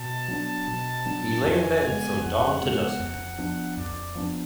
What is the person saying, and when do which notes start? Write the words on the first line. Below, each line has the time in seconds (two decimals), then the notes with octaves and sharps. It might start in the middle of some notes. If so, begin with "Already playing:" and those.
He lay in bed from dawn to dusk.
Already playing: B2 A5
0.28 F#3 B3 D4
0.67 B2
1.06 F#3 B3 D4
1.44 F2 G#5
1.84 C#3 G#3 B3
2.22 F2 F#5
2.61 C#3 G#3 B3
3.00 F2
3.38 F3 B3 D4
3.77 F2 D5
4.15 F3 B3 D4